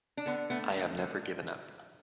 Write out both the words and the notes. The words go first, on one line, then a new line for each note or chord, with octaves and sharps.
I have never given up.
D4
D3 B3
A3 B3
A3
D3